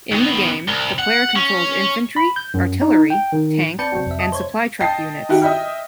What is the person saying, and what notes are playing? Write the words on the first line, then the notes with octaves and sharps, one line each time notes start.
In the game, the player controls infantry, artillery, tank, and supply-truck units.
D#3 B3
C2
F#5
C#4
B5
G6
F#2
D#4
G5
D#3
C4 B4 D5 A5 G6 C#7
C3 F#3 C4 F#4
F2 E5
D#5 A5
C5 C#5 G#6
D#5 G5 A5 A6 C7
D#3 E4 F#4 G4
D#5 E5 G5 F6